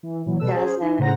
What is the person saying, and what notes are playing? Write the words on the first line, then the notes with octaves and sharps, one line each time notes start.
It doesn't.
E3
A#2 E3 F#3
B2 G3 A4 B4 E6
C#4 G#4 C5
D#4
A2 C#3 C5 F#5 A#5 A#6